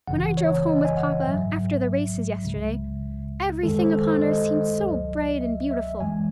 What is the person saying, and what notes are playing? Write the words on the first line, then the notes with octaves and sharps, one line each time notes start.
When I drove home with papa, after the races yesterday, everything upon earth seemed so bright and beautiful.
G#1 F#2 C#3 E3 F#5
C#5
D#5
G#5
F#5
A1 G#2 F#3 E5
C#2 C#3 G#3
F#2 D#3 G#3 A4
C5
A4
C5
D#5
C#2 C3 F#3
E5
E5
F#2 E3 G#3 G#5